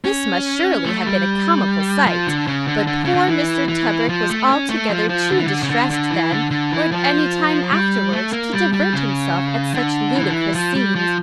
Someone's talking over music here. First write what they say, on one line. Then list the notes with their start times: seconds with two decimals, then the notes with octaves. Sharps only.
This must surely have been a comical sight, but poor Mr. Tebrick was altogether too distressed then or at any time afterwards to divert himself at such ludicrous scenes.
0.04 C#4
0.85 A3
1.05 G3
2.06 F3
2.27 D3
2.47 C#3
2.67 D3
2.87 D3
3.05 C#3
3.14 D3
3.27 E3
3.68 E3
4.09 F3
4.29 A3
4.49 C#4
4.69 A3
4.89 F3
5.09 F3
5.30 D3
5.38 E3
5.46 D3
5.63 C#3
5.70 D3
5.90 D3
6.10 E3
6.31 D3
6.51 D3
6.71 E3
6.92 F3
7.72 G3
8.12 A3
8.33 A#3
8.53 G3
8.73 G3
8.93 C#3
9.74 D3
10.15 E3
10.22 D3
10.29 E3
10.54 F3
10.75 G3
10.95 F3